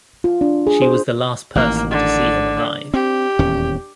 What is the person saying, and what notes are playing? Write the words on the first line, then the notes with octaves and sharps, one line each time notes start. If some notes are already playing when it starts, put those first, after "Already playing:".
She was the last person to see him alive.
F4
D4
G#4
C5
A1 D#3 A#3
D3
C4 G4
D#1 E2 C#4